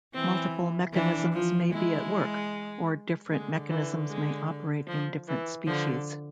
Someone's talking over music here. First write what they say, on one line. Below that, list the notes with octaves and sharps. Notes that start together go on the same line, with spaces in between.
Multiple mechanisms may be at work, or different mechanisms may operate in different species.
E3 C4
E3 D4
F3
G#3 E4
D3 G#3
E3
G#3
F3
E3
D3 F3